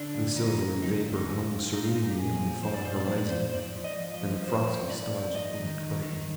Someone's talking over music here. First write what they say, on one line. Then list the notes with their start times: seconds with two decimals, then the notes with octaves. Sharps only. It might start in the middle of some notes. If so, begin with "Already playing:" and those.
The silvery vapour hung serenely on the far horizon, and the frosty stars blinked brightly.
Already playing: D3 D4
0.14 G2
0.36 F3 D#4
0.59 G2
0.82 D3 D#4
1.04 G2
1.27 G2
1.50 G2
1.72 A#2 D#4
1.84 F4
1.95 A#2 D#4
2.11 G4
2.18 A#2 G#4
2.41 F3
2.63 F3 C5
2.74 D5
2.85 A#2 C5
2.96 D5
3.08 F3 C5
3.18 D5
3.29 A#2 C5
3.50 C5
3.54 G#2 D5
3.76 F3
3.84 D#5
3.99 F3
4.14 D#5
4.22 F3
4.44 G#2 C5
4.67 F3
4.89 G#2 D5
5.12 F3
5.35 G#2 D#5
5.58 D#3
5.80 D#3
6.03 D#3